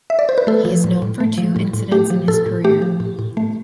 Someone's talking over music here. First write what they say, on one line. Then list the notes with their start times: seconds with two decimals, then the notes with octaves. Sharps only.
He is known for two incidents in his career.
0.10 E5
0.19 D5
0.29 C5
0.38 B4
0.47 A3 A4
0.65 F3
0.84 A2
1.02 A2
1.20 A3
1.38 F3
1.56 A2
1.73 A2
1.91 A3 G4
2.10 F3
2.28 A2 A4
2.46 A2
2.64 A3 G4
2.82 F3
3.00 A2
3.19 A2
3.37 A3